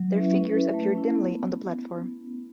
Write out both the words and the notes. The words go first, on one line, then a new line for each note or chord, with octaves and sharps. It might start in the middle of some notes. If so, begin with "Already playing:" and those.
Their figures appeared dimly on the platform.
Already playing: F#3
C#4 E4 B4 E5
C#4
E4 B4 E5
A3
C#4 E4
B3